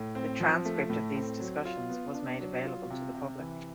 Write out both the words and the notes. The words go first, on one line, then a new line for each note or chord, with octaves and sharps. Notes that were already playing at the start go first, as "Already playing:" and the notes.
The transcript of these discussions was made available to the public.
Already playing: A2
C4
F3
A3
A2
C4
F#3
F4
B3
D4
F#3
F4
C3
C3
E3